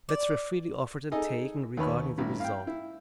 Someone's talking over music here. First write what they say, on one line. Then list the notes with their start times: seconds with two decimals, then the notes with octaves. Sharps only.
Bets were freely offered and taken regarding the result.
0.09 D5
1.12 D#4 G#4 A4 D#5
1.77 D#2 D#3 B4 C#5 B5
2.18 A1 G2
2.40 F5 G5
2.67 E4